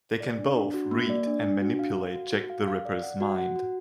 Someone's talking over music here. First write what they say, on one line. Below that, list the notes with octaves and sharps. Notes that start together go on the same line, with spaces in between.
They can both read and manipulate Jack the Ripper's mind.
D5
D4
D4
F#4
A#3
D5
D4
D4
F#4
F5
F5
F#4
F#4
F5
F5
D5
F#5
F#4
F#5
F#4